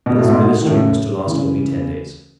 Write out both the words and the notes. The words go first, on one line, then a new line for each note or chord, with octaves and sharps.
But this ministry was to last only ten days.
B2
A2
G#2 B2
D#3
A2 C#3
C#3 E3